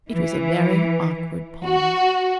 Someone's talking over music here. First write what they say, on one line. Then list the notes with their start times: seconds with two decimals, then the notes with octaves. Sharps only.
It was a very awkward pause.
0.10 E3
1.65 F#4